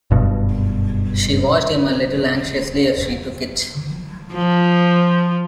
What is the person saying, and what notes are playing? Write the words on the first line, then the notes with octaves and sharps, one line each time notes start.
She watched him a little anxiously as she took it.
F#1 G2 B2
F3